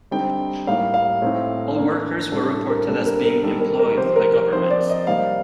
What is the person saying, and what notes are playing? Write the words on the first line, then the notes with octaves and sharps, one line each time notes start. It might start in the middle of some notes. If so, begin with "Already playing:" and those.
All workers were reported as being employed by governments.
D3 G3 C4 D#4 G5
A2 G3 A#3 D#4 F5
F5
A2 A3 C4 D#4
D#3 A#3 D4
A2 G3 D4 A4
A4
A#4
C3 G3 A#3 D4 A4
A#4
A#4
D#3 G3 C4 D#4 A4
A#4
A#4
C3 F3 C4 C5
A#4
A#4
F3 C4 D#4 C5
D5
D#5
C3 G3 A#3 D#4 F5